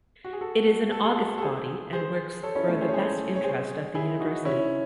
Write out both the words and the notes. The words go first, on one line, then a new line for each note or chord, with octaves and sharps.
It is an august body and works for the best interest of the University.
F#4
G#4
F#4 A4
A4
G#4
F#4 A4
A4
G#4 C5
G#4 C5
A4 C#5
C#4 E4
A3 C#4
G#4 C5
C#5
G#4 C5
C#5
G#4 C5
E4 G#4
D#4 F#4
C#4 E4